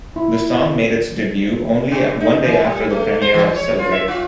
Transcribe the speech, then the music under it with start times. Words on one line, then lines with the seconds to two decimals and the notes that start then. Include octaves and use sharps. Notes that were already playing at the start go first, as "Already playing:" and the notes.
The song made its debut only one day after the premiere of "Celebrate".
0.16 E4
1.92 C#3
2.20 D#4
2.44 E3
2.64 G3
2.90 A3
3.22 C5
3.34 E3
3.56 C#5
3.79 F4
3.92 E5
4.08 F4